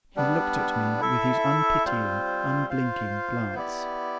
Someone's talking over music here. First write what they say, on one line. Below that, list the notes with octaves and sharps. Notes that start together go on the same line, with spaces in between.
He looked at me with his unpitying, unblinking glance.
G3 B3 D4
E4 A4 E5
G3 C4 F4 C5
F4 C5 F5
B3 E4 G4 D5